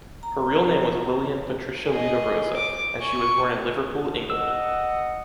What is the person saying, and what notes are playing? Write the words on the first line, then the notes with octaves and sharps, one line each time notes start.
Her real name was Lilian Patricia Lita Roza, and she was born in Liverpool, England.
A#5
G#4 D#5
D6
G#5 C#6
A#4 D#5 F#5 E6